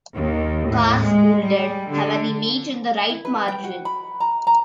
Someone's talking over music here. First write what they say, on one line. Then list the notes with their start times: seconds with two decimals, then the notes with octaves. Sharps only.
Cars bolded have an image in the right margin.
0.14 D#2
0.68 A2
0.98 G#3
1.43 G3
1.91 D3
3.09 E4
3.25 B4
3.48 G5
3.64 F#4
3.85 B5
4.20 A#5
4.47 A#5